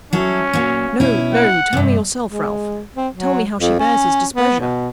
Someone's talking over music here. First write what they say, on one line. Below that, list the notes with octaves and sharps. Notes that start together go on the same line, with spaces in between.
"No! no! tell me yourself, Ralph--tell me how she bears his displeasure!"
F#3 C#4 E4 A4
A#2 F#3
B2 C#4 E4
F#5
G2 C3
G#3
C4
F#3
F2
C#4
B3
B2